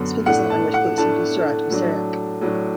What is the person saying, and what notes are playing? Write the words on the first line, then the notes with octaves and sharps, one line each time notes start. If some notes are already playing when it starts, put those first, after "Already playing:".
Speakers of the language call it simply "Surat", or 'Syriac'.
Already playing: F#2 D3 F#3 B3
A2 A3 D4 F#5
A5
F#5
A2 A3 D4 A5
A2 F#3 D4
A2 F#3 D4